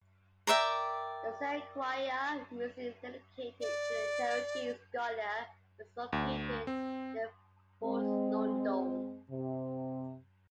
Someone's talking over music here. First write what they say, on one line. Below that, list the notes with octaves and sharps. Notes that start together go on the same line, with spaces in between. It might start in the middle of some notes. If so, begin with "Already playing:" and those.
The Sequoyah Museum, dedicated to the Cherokee scholar, is located near Fort Loudoun.
A#4 D5 E5 G5
D5
D2
C4
G#3 C4
C3